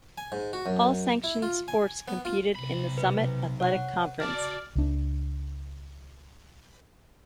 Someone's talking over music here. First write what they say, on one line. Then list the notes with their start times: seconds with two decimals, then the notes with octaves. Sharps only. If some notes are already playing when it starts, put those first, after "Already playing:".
All sanctioned sports competed in the Summit Athletic Conference.
0.18 G#5
0.32 G#2
0.53 F#4
0.66 F#2
1.24 E4
1.42 F4
1.68 G#5
2.08 B3
2.25 F4
2.55 B1 C3 B5
2.98 B4
3.60 C#5 F#5
4.20 F#4 D5 A5 F6
4.75 C#2 D4